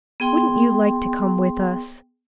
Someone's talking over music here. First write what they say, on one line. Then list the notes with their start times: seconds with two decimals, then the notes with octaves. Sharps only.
Wouldn't you like to come with us?'
0.20 B3 G#4 G5 C6